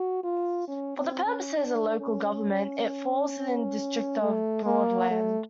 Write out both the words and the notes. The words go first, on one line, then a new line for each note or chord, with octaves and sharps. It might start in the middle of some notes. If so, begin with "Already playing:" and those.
For the purposes of local government, it falls within the district of Broadland.
Already playing: F#4
F4
C#4
C4
C#4
D4
C#4
A3
A#3
A3